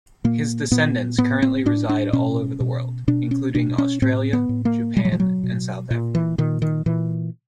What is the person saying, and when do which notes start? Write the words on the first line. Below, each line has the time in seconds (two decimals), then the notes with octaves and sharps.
His descendants currently reside all over the world, including Australia, Japan and South Africa.
0.24 A#2 A#3
0.72 A#2 B3
1.18 A2 B3
1.42 C4
1.66 A2 D4
1.89 D4
2.13 B2 C#4
2.60 B2
3.08 B2 D4
3.31 C#4
3.55 B2 D4
3.78 C#4
4.02 A2 C4
4.33 B3
4.49 A2
4.65 A#3
4.96 B2 G3
5.05 F#3
5.12 F3
5.20 F#3
5.43 B2
5.91 A#2
6.15 E3
6.38 A#2 D#3
6.62 D#3
6.86 A#2 E3